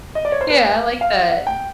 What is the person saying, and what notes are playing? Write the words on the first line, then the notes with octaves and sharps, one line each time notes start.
Yeah, I like that.
D#5
D5
C#5
C5
B4
F5
F#5
G5